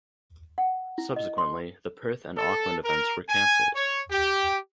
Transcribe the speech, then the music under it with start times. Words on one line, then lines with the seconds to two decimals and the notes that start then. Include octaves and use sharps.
Subsequently the Perth and Auckland events were cancelled.
0.58 F#5
0.98 E4
1.16 D#5
1.38 C6
2.37 A4
2.84 A#4
3.29 G#5
3.75 C#5
4.11 G4